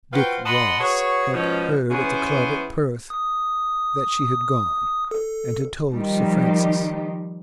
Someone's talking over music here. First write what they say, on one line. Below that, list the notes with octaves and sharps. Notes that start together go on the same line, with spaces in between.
Dick Ross had heard at the club at Perth that she had gone, and had told Sir Francis.
F4 F#4 B4 C5 G5
D#5 F#5 A5 B5 C6
F#4 G#4 B4 C#5
G#2 B2 F3 C#4
E3 B3 C#4 G#4 C5
D#6
A4
D#3 F3 G3 D#4 G4